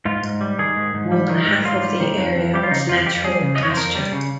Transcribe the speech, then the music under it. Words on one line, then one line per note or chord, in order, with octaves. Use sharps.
More than half of the area was natural pasture.
G#2 F4
G#2
G3
D#3 G#4
G#2
G#2
G3
D#3
G#2
G#2 F4
G3
D#3
F2
F2
G3 G4
F4
C#3 D#4
F2 F4
F2 G4
G3 G#4
C#3
D#5
F2 C#5
C5
F2 A#4
G3
C#3